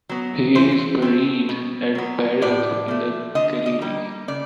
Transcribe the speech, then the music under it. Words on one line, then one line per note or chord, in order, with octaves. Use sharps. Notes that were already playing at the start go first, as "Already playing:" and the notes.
He is buried at Parod in the Galilee.
F#3 B3
E3 C5
A3 C4
B2
F#3 B3
A2 D5
F3 A3
D3 D#5
D#5
G3 A#3
C#3 D5